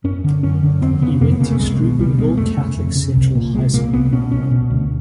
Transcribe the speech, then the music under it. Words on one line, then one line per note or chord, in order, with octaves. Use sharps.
He went to Steubenville Catholic Central High School.
F#2 C#4
D3
F#2 C#4
D3
F2 C4
C#3 B3
F2 A#3
B3
C#3 A#3
A3
C2 G#3
B2
C2 G3
B2 G#3
F2 A3
C#3
F2
C#3
C2
A#2
C2 G#3
A#2 A#3
C2 B3
B2 C#4
C2 C#4
B2
D2